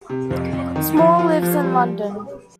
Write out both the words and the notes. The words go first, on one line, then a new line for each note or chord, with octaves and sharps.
Small lives in London.
C3
F2
F2
D#3
F3
F4
F3
G3